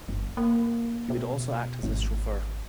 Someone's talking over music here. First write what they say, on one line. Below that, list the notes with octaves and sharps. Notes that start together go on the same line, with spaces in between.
He would also act as his chauffeur.
G1
A#3
B2
G#1